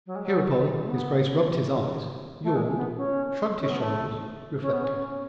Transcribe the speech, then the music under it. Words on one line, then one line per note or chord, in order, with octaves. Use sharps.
Hereupon his Grace rubbed his eyes, yawned, shrugged his shoulders, reflected.
F#3
G#3
F#3
A3
B3
A3
G#3
B3
C#4
C#4
B3
A3
C#4
B3
C#4